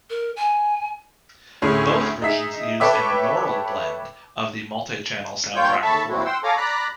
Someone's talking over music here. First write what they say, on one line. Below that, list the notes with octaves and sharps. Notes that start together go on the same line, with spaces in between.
Both versions used a monaural blend of the multi-channel soundtrack recording.
A#4
G#5
D2 A2 C#4 G#4
D#4 G#4 E5 B6
A4 B4 C#5 E5 G5 D6
G2 A#3 F4 C#5 G5 G6
D#2 A4 E5 A5 B5 C#6
A#2 E3 F#3 C4 E4 F#4
F#5 G5 C6 E6
A4 C#5 F5 G#5 A#5 D6
D5 A#5 B5 F#6